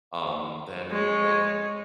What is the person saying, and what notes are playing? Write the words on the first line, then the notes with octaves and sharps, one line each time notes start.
um, then, like
G#3 C#5